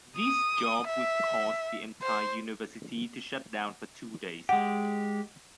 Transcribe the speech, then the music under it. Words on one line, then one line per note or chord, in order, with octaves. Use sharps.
This job will cause the entire university to shut down for two days.
D#6
E5
C5
G#3 G4 F#5